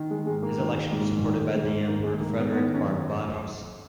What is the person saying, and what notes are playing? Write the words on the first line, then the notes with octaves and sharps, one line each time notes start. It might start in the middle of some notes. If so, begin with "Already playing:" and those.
His election was supported by the Emperor Frederick Barbarossa.
Already playing: D#3
G#3
G#2 G#3
A#3
D#3
G#2
D#3
G#2
D#3 A#3
G#3
G#2 A#3
B3
D#3 B3
C#4
F#2